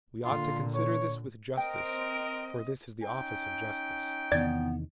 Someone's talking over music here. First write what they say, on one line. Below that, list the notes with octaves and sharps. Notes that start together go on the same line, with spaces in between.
We ought to consider this with justice, for this is the office of justice.
A#2 D3 F4
C#5
C4 A#4 D#5 G5 D7
C#4 D#4 G5
E2 C3 D#3 B3 D5 G#6 A6